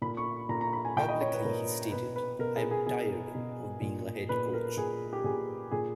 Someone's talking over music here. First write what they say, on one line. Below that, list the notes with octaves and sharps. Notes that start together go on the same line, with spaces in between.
Publicly he stated, I'm tired of being a head coach.
A#2 B5
C#6
A#2 A#5
A#5
B5
G#5
A#2 G5
D#5
C#5
B4
A#2 A#4
B2 B4
B4
B2 A#4
G#4
G#4
B2 G#4
B2
A#2
A#2 B4
A#4
A#2 G#4
G4
A#2 G#4
A#2 G#4